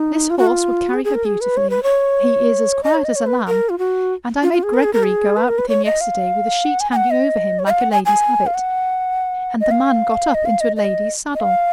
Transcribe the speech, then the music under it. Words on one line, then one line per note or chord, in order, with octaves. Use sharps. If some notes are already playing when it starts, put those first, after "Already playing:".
"This horse would carry her beautifully: he is as quiet as a lamb, and I made Gregory go out with him yesterday with a sheet hanging over him like a lady's habit, and the man got up into a lady's saddle."
Already playing: D#4
F4
F#4
F4
F#4
G#4
G#4
A#4
G#4
B4
C#5
B4
C#5
D#5
C#5
D#5
C#5
B4
A#4
F4
F#4
F4
F4
G#4
A#4
G#4
A#4
G#4
B4
A#4
B4
C#5
D#5
F5
F#5
G#5
G#5
F#5
D#5
C#5
D#5
F5
F#5
G#5
G#5
F5
F#5
D#5
F5
D#5
F5
D#5
D#5
D#5
F5